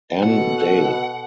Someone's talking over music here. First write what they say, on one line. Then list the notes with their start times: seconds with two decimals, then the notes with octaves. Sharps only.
Ann Dale.
0.23 B2 A4 F#5